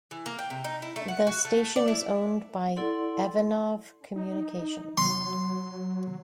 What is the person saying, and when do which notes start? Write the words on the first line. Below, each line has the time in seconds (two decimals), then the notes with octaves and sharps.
The station is owned by Evanov Communications.
0.11 E3
0.26 A#3
0.39 G5
0.50 C3
0.64 D#4
0.82 E4
0.96 A3
1.08 F#5
1.27 F#4
1.45 A3
1.76 D5
1.88 E4
2.76 E4 A4 D5 F#5 C6
4.16 D#4
4.98 F#3 C6